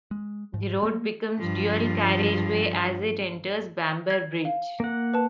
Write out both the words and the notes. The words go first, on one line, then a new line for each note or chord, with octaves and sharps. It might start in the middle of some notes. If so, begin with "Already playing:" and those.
The road becomes dual-carriageway as it enters Bamber Bridge.
G#3
G#2
A3 A#3
G2 F3
G#6
F5
A#3 F#5
B4 A5